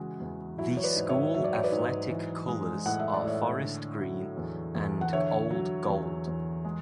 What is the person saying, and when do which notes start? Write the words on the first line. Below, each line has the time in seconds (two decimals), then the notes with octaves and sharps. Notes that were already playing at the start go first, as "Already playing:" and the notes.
The school athletic colors are forest green and old gold.
Already playing: C#3 E3 G#3 F#4
0.20 E2
0.58 F#3 E4
0.77 C#5
0.84 B4 D5
0.96 G#2
1.09 C#5 E5
1.34 F#3 E5
1.44 D5
1.54 C#5
1.64 B4 D5
1.72 G#2
2.10 E3
2.48 G#3
2.86 A2 F#5
2.99 E5
3.14 D5
3.24 A2 C#5 E5
3.61 D3
3.99 F#3
4.37 E2
4.75 E2
5.01 F#5
5.13 D3 C#5 E5
5.51 F#3
5.88 E2
6.27 E2
6.65 G#3